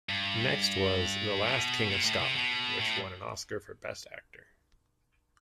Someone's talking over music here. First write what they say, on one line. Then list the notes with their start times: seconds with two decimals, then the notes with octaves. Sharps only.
Next was "The Last King of Scotland", which won an Oscar for best actor.
0.09 G2
1.46 B2
1.90 A#2
2.05 A2
2.21 C3
2.36 B2
2.80 A2